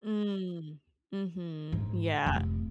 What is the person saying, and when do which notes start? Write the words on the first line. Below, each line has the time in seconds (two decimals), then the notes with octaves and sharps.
Mm. Mhm. Yeah.
1.72 G#2
2.26 F1